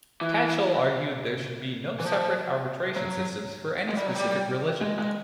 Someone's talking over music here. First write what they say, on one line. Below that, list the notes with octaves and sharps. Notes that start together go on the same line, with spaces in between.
Tatchell argued there should be no separate arbitration systems for any specific religion.
E3
E3
F3
F#3
G#3
G3
F#3
G3
G#3
G#3